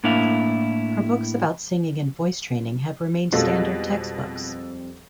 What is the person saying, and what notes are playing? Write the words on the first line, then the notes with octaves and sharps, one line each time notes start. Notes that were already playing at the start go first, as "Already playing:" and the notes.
Her books about singing and voice training have remained standard textbooks.
A2 A#3 D4 E4 F5
F2 B2 G3 G#3 F4 A4